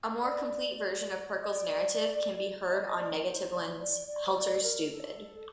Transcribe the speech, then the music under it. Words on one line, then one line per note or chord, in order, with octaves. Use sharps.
A more complete version of Pirkle's narrative can be heard on Negativland's "Helter Stupid".
D5
D5
D#5
D5
D#5
D5
A#4
C5
D5
D5
D5
C5
D5
A#4
A4